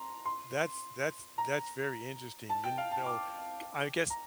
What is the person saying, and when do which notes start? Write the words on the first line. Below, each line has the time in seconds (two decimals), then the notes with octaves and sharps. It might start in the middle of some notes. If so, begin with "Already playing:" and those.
That's that's that's very interesting, you know, g I guess
Already playing: A#5 C6
0.25 C6
1.38 A#5
2.49 A5
2.64 G5
2.78 F5
2.91 A5
3.06 D6
4.10 A#5